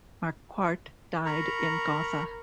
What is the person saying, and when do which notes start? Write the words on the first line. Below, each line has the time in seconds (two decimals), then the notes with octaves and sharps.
Marquardt died in Gotha.
1.26 A#4 A#5 B5 C#6